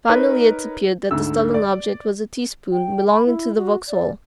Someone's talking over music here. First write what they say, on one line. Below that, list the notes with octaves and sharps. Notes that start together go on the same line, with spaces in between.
Finally it appeared that the stolen object was a teaspoon belonging to the Vauxhall.
D#4 A#4 B4 C#5
D2 G#2 D3 E6
D5
G5
B5
E4
F#4
D5